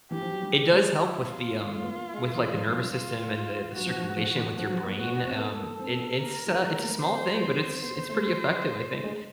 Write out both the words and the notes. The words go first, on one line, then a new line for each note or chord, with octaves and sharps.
It does help with the, um with, like, the nervous system and the the circulation with your brain. Um, it it's uh, it's a small thing, but it's it's pretty effective, I think.
E3 G4
F3
F#3
G3
G#3
E4
F4
A3
B3
A#3
G#3
E3
F3
G3
G3
F4
F#3 F#4
F3
F3
F3
E3
F3 F#4
F#3
F3
A#3
B3 F#4
B3
C4
B3 A4
A#3
C4
B3
A#3 A#4
G3
G3
G#3
A#3
A3
C4 C5
B3
C4
B3 C5
B3
A3
A3
G#3